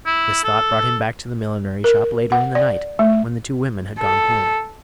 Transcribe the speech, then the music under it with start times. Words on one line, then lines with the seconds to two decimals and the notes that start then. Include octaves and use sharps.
This thought brought him back to the millinery shop later in the night, when the two women had gone home.
0.06 E4
0.44 A4
1.84 A#4
2.32 F#5
2.55 D5
2.99 A3
3.99 A4